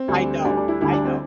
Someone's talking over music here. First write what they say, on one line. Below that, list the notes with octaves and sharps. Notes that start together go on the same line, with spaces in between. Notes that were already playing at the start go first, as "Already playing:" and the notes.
I know, I know.
Already playing: C4
D2 D3 G3
D2 D3 G3 D4
D4
E4
D2 D3 G3 E4
D4
C4